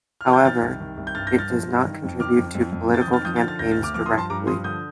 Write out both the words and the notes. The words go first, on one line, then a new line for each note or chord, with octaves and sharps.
However, it does not contribute to political campaigns directly.
F6
G6
D#3 F6 A6
C2
D#3
C2
G6
G2 F6 A6
G6 A#6
G2
F6 A6
F3
G2
D#3
F2
D#3 D6 F6
F2
F2
F2
F2 A6
D#6 G6
D#3
F6 A6
F3 D#6 G6
F6 A6
D3
F6 A6
D2 G6 A#6
F6 A6
D2
D6 F6
F3 D6 F6
C6 D#6
G2
A5 C6
G2 A#5 D6
F3 C6 D#6
D3 D#6 G6